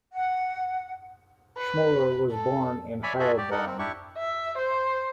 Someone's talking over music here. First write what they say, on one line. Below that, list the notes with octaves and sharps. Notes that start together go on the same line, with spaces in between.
Schmoller was born in Heilbronn.
F#5
B4
A4
C#5 D5 E5 G#5 B5
F4 F#4 G#4 A4 E5
G4 D5
D#4 A4 A#4 F#5
C4
D4 E4 G4 C#6
E5
C5